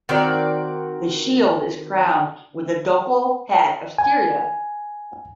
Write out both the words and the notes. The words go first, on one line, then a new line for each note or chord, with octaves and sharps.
The shield is crowned with the ducal hat of Styria.
D#3 C4 F#4 D5
G#5